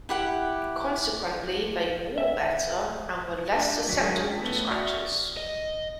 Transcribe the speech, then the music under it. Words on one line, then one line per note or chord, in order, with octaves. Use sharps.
Consequently, they "wore" better, and were less susceptible to scratches.
E4 G4 F#5
E5
D4
F#3 B6
G#3 C#4 D4 F#4 G#4 A#4
G5 B6
A3 B3 C#4
F#4 D5 E5 C#6 D#6 F6
D#5